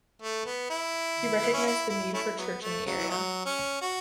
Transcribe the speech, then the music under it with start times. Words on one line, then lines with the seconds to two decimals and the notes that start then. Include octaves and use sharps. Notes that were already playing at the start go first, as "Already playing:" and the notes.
He recognised the need for church in the area.
0.22 A3
0.46 B3
0.70 E4
1.41 B3
1.53 C#4
1.66 E4
1.90 E4
2.14 A3 C#4 E4
2.38 F#3 B3
2.62 A3
2.86 C#3 F#3
2.97 E3
3.10 F#3
3.45 C#4
3.81 F#4